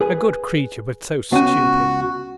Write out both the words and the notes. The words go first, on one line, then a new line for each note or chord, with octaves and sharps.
A good creature, but so stupid!
G#4 B4 G#5
C#2 B3 C#4 F#4 F#5